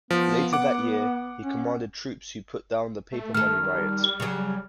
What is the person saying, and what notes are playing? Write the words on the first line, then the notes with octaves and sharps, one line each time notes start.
Later that year, he commanded troops who put down the Paper Money Riot.
F3 B3
F#5 D6
C#4
A3
D#3 A3 A4 F6
G3
C#3 F#3